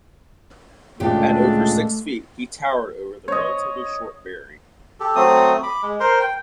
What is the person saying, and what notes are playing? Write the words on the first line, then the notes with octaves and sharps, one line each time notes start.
At over six feet, he towered over the relatively short Barry.
D2 A#2 C#3 G#3 A3 D4 G4
C#5 D#5
G4 A4
F#3 A3 C4 D#6
B5 D6
G#3
A#4 C5 C6
G5